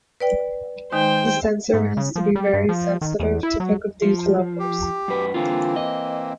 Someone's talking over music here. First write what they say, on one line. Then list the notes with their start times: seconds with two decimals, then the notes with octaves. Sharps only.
The sensor has to be very sensitive to pick up these levels.
0.20 B4 D5 G5
0.92 D#3 G#3 D#4 C5 G5
1.74 G#2
1.97 C#3
2.16 F3
2.35 G3
2.54 G2
2.69 F3
3.01 D#3
3.20 E2
3.43 E4
3.60 F#3
4.02 F3
4.59 G4
5.08 F#2 B4
5.34 D3 E3 A#3 C4 F4
5.76 D#5